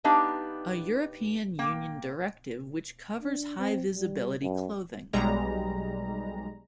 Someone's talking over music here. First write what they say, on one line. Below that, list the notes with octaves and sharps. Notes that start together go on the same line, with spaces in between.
A European Union directive which covers high-visibility clothing.
B3 D4 D#4 G4 F5
A#3 G5
D4
C4
G3
F#2
B1 G3 G#3 A#5